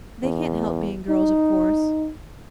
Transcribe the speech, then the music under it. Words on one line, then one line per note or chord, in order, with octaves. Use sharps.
They can't help being girls, of course.
E2
D#4